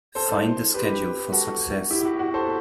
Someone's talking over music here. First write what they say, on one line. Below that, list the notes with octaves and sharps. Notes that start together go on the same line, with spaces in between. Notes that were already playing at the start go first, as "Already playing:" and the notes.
Find the schedule for Success.
A4 C5
G4 B4
F#4 A4
E4 G4
F#4
F#4
A4 C5